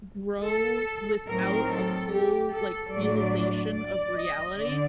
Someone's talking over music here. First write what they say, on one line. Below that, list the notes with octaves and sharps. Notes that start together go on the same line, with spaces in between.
grow without a full, like, realization of reality,
A4
A2 F#3 C4 D#4 A#4
A4
G4
A4
A2 F#3 A3 D4 D5
D5
D#5
D3 D5